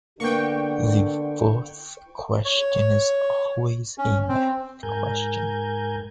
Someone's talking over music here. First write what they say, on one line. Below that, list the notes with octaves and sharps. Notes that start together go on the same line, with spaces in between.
The fourth question is always a math question.
D3 A#3 B3 G5 C#6
C#5
C#4
C4
G#2 A#4 G#5 G6